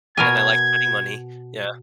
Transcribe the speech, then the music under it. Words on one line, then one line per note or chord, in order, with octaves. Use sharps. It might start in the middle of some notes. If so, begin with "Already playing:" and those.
And I like spending money. Yeah.
B2 A#4 G#5 G#6